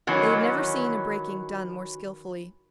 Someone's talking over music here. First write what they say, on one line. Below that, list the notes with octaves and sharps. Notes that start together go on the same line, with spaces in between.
They had never seen a breaking done more skillfully.
D#3 E3 F#3 C#4